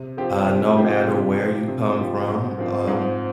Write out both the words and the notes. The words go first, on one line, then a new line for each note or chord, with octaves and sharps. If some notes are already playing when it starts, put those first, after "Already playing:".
Uh, no matter where you come from, um,
Already playing: C3
F3 C4 G4
C3
F3 C4 G4
C3
F3 C4 G4
C3
F3 C4 G4
G#2
F3 C4
G#2